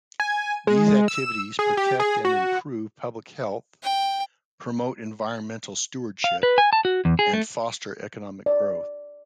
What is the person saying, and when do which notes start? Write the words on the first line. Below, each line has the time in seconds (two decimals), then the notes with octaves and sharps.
These activities protect and improve public health, promote environmental stewardship, and foster economic growth.
0.20 G#5
0.67 G#3
1.08 E6
1.59 G#4
1.77 G4
2.00 G#4
2.25 F#4
3.83 G5
6.24 F5
6.43 B4
6.58 G#5
6.73 A5
6.85 F#4
7.05 E2
7.19 G#4
7.33 A3
8.46 D5